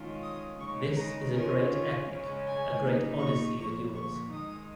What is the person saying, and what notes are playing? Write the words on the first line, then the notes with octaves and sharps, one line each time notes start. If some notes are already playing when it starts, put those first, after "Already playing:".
This is a great epic, a great Odyssey of yours.
Already playing: D#3 G#3 C#4 F4
D#6
C#3 G#3 D#4 C#6
A#5
D#3 C#4 F4 A#4
C#5
C#3 G#3 C#4
G#5
A#2 A#3 D#4
C#6
A#2 F3 A#3 C#6
C#6
D#3 G#3 D#4 D#6